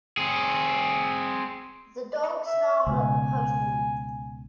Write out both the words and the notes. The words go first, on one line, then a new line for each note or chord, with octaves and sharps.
The dog snarled at the postman.
C4 G#4
E5
C#2 B2 G#5